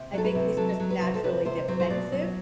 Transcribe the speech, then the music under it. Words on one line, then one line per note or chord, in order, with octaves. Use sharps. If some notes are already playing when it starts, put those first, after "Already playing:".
I think he's just naturally defensive,
Already playing: C3
F#3 A4
B4
C3
F#3 A4
F#3
B4
C3
A4
C3 B4
C3 C5
F#3 C5
C5
B2 D5
F#3